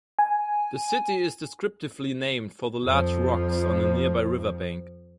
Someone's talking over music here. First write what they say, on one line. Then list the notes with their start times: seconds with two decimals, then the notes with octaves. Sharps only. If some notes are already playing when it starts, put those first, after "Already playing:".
The city is descriptively named for the large rocks on a nearby river bank.
0.19 G#5
2.84 F2 F3